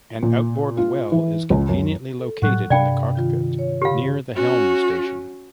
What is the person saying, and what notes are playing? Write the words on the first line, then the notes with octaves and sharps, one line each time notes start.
An outboard well is conveniently located in the cockpit near the helm station.
A#2
F4
E3
C#2
F#2
A4
A2 F#3 G3 F#5 C#6 F#6
G2 C3 D4 D5 F5 G5 B5
D#3 F4
C#5
C#3 G4 F5 B5
C#4 F#4